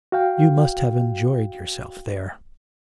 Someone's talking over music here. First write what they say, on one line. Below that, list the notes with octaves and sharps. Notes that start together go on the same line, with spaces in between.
You must have enjoyed yourself there.'
F#4 F5 G5